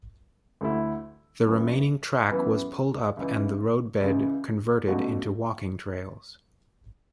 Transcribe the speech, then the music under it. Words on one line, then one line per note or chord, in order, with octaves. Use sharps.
The remaining track was pulled up and the roadbed converted into walking trails.
D2 D3 A3 E4
F#2 E3 B3
F#2 E3 B3
C#2 C#3 E3
C#2 C#3 E3
C#2 B2 A3 D4 F#4